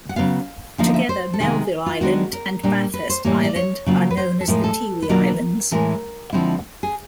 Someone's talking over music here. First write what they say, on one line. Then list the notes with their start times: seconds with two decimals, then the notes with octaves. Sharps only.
Together, Melville Island and Bathurst Island are known as the Tiwi Islands.
0.09 F#5
0.16 C#3 F#3 B3 F5
0.78 D3 F3 A#3 D#4 F5
0.88 D#5
0.94 E5
1.09 C5
1.34 A4
1.40 C3 D#3 G#3 B3 G#4
1.86 F4
2.01 D#3 G#3 B3 D4 F#4
2.33 A#4
2.63 A#2 G3 A#3 D4
2.94 B4
3.09 C5
3.25 A2 E3 G3 A#3 C#5
3.44 D5
3.56 C#5
3.86 C#3 F#3 A#3 C#4 F4
4.11 B4
4.17 C5
4.41 A4
4.48 A2 F3 G#3 A#4
4.64 A4
5.02 B4
5.09 B2 F#3 A#3 D4 F4 A#4
5.71 A2 E3 G#3 A#4
6.33 D3 F3 G#3 C4 E4
6.83 G#4